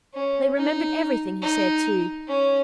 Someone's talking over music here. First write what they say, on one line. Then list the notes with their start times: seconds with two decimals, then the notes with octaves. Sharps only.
They remembered everything he said, too.
0.14 C#4
0.56 D#4
1.42 D#4
2.28 C#4